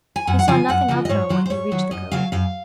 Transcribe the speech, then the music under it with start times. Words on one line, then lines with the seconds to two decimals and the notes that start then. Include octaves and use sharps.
He saw nothing of her when he reached the Cove.
0.16 G#5
0.27 F#2 F#5
0.39 F#5
0.48 C#3 F3 G#5
0.69 F#2 F#5
0.88 C#3 F3 D#5
1.05 D#5
1.09 G#2 C#5
1.29 D#3 F#3 C5
1.46 C5
1.50 G#2 C#5
1.71 D#3 F#3
1.91 F#2 D#5
2.12 C#3 F#3 F5
2.32 F#2 F5